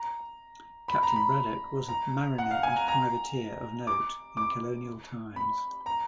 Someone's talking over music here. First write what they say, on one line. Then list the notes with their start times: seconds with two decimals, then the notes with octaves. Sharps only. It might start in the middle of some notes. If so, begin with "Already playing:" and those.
Captain Braddock was a mariner and privateer of note in Colonial times.
Already playing: A#5
0.88 B5
1.03 A#5
1.16 B5
1.89 A#5
2.38 F#5
2.51 F5
2.63 G#5
2.76 A#5
2.88 A#5
3.87 D6
4.37 D6
5.36 B5
5.86 A#5